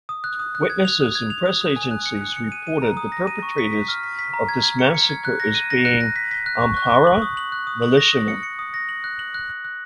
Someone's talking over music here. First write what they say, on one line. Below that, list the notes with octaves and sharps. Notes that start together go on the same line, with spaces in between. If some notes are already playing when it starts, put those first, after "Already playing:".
Witnesses and press agencies reported the perpetrators of this massacre as being Amhara militiamen.
D#6
F#6
D#6
F#6
G#6
F7
D#6
G#6
F7
D#6
D#6
G#5
F#6
C#7
F#6
C#7
D#7
D#7
A#5
D#6
A#6
D#7
C#6
B6
B6
F6
B6
B6
A#5
G#6
G#6
C#7
C#7
G#6
F#6
A#6
D#7
A#6
F#6
A#6
B6
B6
F#6
C#6
F#6
C#6
F#7
D#6
F#7
F#6
D#6
F#7
A#6
D#6
C#7
C#7
D#6
A#6
F#7
F#6
F#7
F#6
F#6
F#6